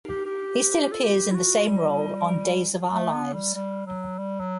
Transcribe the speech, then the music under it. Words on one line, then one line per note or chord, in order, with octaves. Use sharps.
He still appears in the same role on "Days of Our Lives".
G4
G4
A4
G4
E4
F#4
G3
A3
B3
G3
G3
F#3
G3
F#3